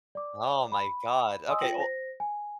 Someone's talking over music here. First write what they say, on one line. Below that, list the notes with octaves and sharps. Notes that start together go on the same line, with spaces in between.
Oh my God. Okay, well eh,
D5 D6
B5
D#5 G#5 C6 D#6 E6
F4 G5 A#6 F#7
C5 A#6
G#5